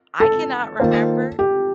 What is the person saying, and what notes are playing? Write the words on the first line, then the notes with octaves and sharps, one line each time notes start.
I cannot remember.
A4
D#3 A#3 F4 C5
G4